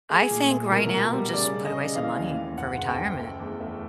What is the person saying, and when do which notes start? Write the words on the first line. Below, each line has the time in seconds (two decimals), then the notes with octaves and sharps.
I think right now just put away some money for retirement.
0.10 A3 G#4
0.30 A#2
0.51 A3
0.71 B2 A#4
0.92 B2
1.13 G3
1.33 C#3 D5
1.54 C#3
1.65 D#5
1.75 C#3
1.95 E3 F5
2.16 D#2
2.37 D#2
2.57 F#1 F#5
2.78 F#1
2.89 G5
2.98 F#1
3.19 A3
3.40 E2
3.60 A3